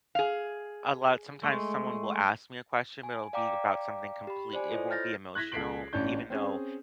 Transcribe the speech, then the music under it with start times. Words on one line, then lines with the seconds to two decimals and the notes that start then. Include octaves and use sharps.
a lot sometimes someone will ask me a question, but it'll be about something complete it won't be emotional, uh, even though
0.15 G#4 F5
1.43 G#3 A3
3.03 G#5
3.33 D5 F5 G5 A#5 D6
4.27 G4 B5
4.53 C5 D5 G#5
4.71 E4 F4 A4 C5 C#5 D#5
4.91 F6 G6 A6 A#6
5.35 F#6 G#6 A#6 B6
5.52 C#2 A4 B6 C7 D7 F#7
5.93 A1 C#4 D4 G6
6.30 C4 C#4 G#4